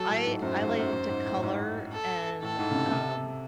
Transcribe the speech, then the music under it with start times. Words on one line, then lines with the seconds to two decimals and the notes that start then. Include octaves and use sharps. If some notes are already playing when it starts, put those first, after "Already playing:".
I I like to color and, um
Already playing: F#3 A4
0.10 A2
0.26 G#2
0.42 F#2 C5
0.55 G#2
0.68 F#2
0.79 F#2
0.93 F#2
1.09 G#2
1.25 A2
1.42 G#2
1.93 A4
2.42 A2 A4
2.59 G#2
2.71 C#3
2.75 C3
2.91 C3